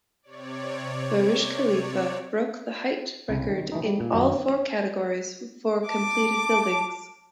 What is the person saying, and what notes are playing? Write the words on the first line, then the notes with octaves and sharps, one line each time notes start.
Burj Khalifa broke the height record in all four categories for completed buildings.
C3 C#5 D5
C2 C#3
D#3
E3 A3 D#4
G3
A#2
F#2 D#3 F#4 D#5
A5 D6